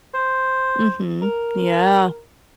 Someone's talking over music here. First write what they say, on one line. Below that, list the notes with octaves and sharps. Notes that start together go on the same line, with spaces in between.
Mhm. Yeah.
C5
A#4